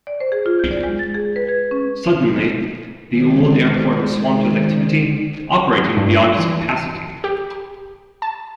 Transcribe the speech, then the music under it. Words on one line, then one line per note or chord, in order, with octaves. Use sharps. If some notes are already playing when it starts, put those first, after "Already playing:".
Suddenly, the old airport was swamped with activity, operating beyond its capacity.
D5
C5
G#4
F4
G6
D5
G#3
A6
G#4
B4
G#6
C#4
D#3 G#3 G#4 C5 D5
G2
E3
G4
A5